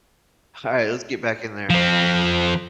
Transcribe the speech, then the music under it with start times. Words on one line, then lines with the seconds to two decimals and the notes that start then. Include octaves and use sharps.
Alright, let's get back in there.
1.70 F3 C4